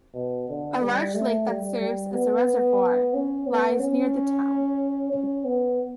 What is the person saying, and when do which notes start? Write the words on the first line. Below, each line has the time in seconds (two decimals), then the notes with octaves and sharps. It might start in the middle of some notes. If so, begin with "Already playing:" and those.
A large lake that serves as a reservoir lies near the town.
0.15 B2
0.49 D3
0.82 G3
1.14 A3
1.48 G3
1.80 G3
2.14 B3
3.14 C#4
3.47 B3
3.79 C#4
5.12 C#4
5.45 B3